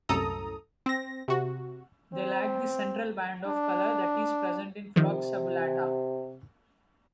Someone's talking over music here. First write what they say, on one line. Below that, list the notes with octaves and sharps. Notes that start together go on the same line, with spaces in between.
They lack the central band of color that is present in Phlox subulata.
C2 F#2 A2 A4 A#5 D#6
C4 A#6
C3 F#4
C4
D4
C3 D#3 F3